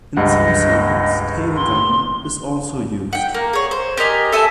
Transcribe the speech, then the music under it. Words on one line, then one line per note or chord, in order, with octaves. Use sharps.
In some circles, "Tail Gunner" is also used.
C#2 G2 D#5 F#5
C6
F#5 G5
A#3
G#4 C#5
C5
G4 A#4 D#5 G#5
A4 E5 G#5 A5